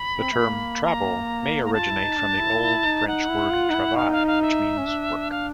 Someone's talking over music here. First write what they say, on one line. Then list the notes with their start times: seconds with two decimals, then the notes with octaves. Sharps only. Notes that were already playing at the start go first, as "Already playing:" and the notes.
The term "travel" may originate from the Old French word "travail", which means 'work'.
Already playing: B5
0.17 C4
0.32 A3
0.39 A#3
0.84 A#5
1.65 A#5
1.73 F4 A5
1.90 E4
2.04 D#4
2.18 D4
2.40 E4
2.63 E4
2.85 D#4
3.08 D#4 F#5
3.30 E4
3.52 F4
3.70 D#4
3.75 E4
3.97 D#4 F5
4.12 F5
4.27 F5
4.42 E5
4.78 C#4
4.87 D4
5.31 F5